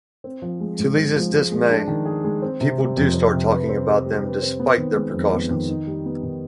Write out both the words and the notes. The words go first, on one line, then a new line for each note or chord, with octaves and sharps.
To Liza's dismay, people do start talking about them despite their precautions.
C4
F3
G#3
G#2
C4
F3
G#4
G#3
D4
D#3
G#4
G#3
C4
C3
G3
F2
C4
C3
B4
C4
G4
G3
B4
C4
B3
D#3
G#3
F2
B3
D#3
D#4
G3
B3
D#3